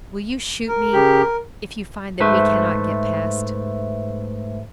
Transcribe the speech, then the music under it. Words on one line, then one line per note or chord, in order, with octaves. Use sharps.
"Will you shoot me if you find that we cannot get past?"
A#4
C#3 G4
G#2 A3 B4 C5 E5